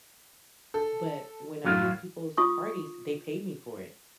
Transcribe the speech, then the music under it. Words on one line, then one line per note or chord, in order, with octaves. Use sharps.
but when I do people's parties, they pay me for it.
A4
F#2 A2 F#3 F4
F4 C#6 D#6